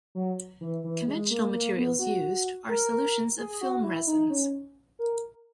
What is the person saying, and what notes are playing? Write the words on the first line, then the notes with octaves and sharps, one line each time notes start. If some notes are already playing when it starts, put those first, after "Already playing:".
Conventional materials used are solutions of film resins.
F#3
E3
E3
G#3
A#3
A#3
B3
F#4
A#4
G#4
F#4
E4
D#4
C#4
A#4